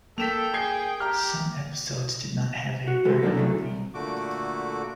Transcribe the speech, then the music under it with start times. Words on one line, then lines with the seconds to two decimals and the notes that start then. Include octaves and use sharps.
Some episodes did not have a "third" movie.
0.18 A#3 A4 G5 B6 E7 F7
0.54 G#4 G#6 C7
1.00 G4 A#5 F6
2.88 F#4
3.05 E3 G#3 F#4 A4 B4
3.22 F#3 A#3 D4 D#4 A4 D5
3.35 C#3 E3 F#3 G#3 A3
3.58 C2
3.94 A#2 D3 A3 F#4 D6